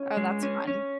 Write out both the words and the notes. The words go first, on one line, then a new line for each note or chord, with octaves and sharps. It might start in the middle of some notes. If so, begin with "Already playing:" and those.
Oh, that's fun.
Already playing: C#4
G#3
C#4
C#4